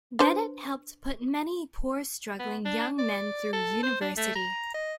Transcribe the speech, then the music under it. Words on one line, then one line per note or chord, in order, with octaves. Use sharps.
Bennett helped put many poor, struggling young men through university.
D4 B4 C5
B3
D4
D5
A4
C5
D4
A3
A#5
D#5